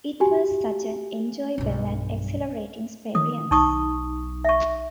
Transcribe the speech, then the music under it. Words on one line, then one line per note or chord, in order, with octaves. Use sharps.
It was such an enjoyable and exhilarating experience ...
F#4 G4 G#5
B1 G2
D#3 D#6
B1 D#4 C#6 D#6
E5 C#6